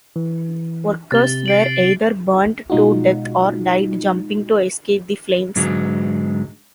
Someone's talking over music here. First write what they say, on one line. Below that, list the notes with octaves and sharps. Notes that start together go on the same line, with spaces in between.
Workers were either burned to death or died jumping to escape the flames.
E3
C3 A6 G7
C7 D7 F#7
B2 G#3 D#4 F4 F#4
G#2 D3 F#3 G#3